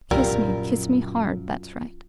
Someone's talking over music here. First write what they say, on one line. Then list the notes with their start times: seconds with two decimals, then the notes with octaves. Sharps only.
Kiss me, kiss me hard, that's right.
0.11 A#1 F#2 G3 E4 F4 A#4